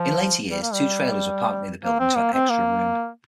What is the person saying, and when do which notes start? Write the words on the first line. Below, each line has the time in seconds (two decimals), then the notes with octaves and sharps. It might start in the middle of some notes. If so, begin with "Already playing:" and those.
In later years, two trailers were parked near the building to add extra room.
Already playing: F3
0.51 G3
0.62 A#3
0.73 G3
1.83 A#3
2.00 C4
2.16 A#3
2.33 C4
2.49 A#3